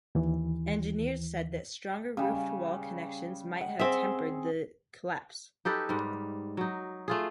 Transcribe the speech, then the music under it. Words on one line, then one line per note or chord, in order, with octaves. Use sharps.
Engineers said that stronger roof-to-wall connections might have tempered the collapse.
D#2 E3
C#3 G3
F#5
C4 G#4 E5
D#4 G4 A4 B4
G#2 G3
F#3 D#4
A3 F4 G#4